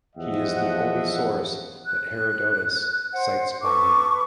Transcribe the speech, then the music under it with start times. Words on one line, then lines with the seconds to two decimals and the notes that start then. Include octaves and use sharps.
He is the only source that Herodotus cites by name.
0.16 E2 F3 G4 D#5 E5 F#5
1.85 F#6
3.12 C5 F#5
3.63 A4 B4 C#6 D6